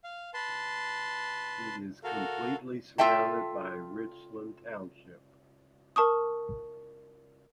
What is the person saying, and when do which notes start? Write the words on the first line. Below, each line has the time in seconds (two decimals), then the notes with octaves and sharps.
It is completely surrounded by Richland Township.
0.04 F5
0.34 B4 A5 C6
2.04 F#4 A4 A#4 F5
2.98 F4 A4 E5 G5 A5
5.96 A#4 A5 C#6 D#6